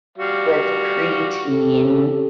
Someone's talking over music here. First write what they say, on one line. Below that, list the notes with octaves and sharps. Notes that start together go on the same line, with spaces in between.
with preteen
G3 F#4 F5
G4 A4